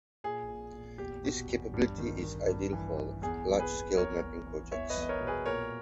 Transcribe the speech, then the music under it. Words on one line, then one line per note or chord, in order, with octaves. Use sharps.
This capability is ideal for large-scale mapping projects.
A#2 G#4
A#2
A#2
E2 G4
B2
E2
G2
D#3
D#3
G2
E3
E3
E2 G#4
E2
G#4 B4
E2
E2 A#4 C#5
E2
E3
E2 C#5 E5
B4 D#5
E2
D#5
A#4 C#5
B2
G#4 B4
A#2 A#4 C#5